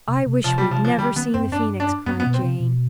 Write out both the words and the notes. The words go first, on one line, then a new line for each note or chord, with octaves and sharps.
'I wish we'd never seen the Phoenix,' cried Jane.
C3
C3
C3 F3
G3
C3 F3
F3
D3 G3
D#3 B3
G2 C4
G2 D4
D4
G2 B3
B3
B2
C4
C3
B2